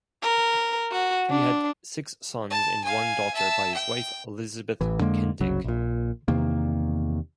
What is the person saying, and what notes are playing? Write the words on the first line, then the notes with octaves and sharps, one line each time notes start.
He had six sons and one daughter by his wife Elizabeth Kendig.
A#4
F#4
D4
A5
F5 G#5
E5 A5
G5
A1 E3
F2 D3 G#3 A#3
F#1 C2 C#3 F#3
A#1 A#2
E2 C3 D#3 A#3